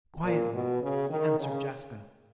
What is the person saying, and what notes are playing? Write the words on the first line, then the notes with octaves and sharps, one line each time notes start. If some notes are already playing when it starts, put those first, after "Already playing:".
Quietly be answered Jaska.
A#2
B2
C#3
D#3
C#3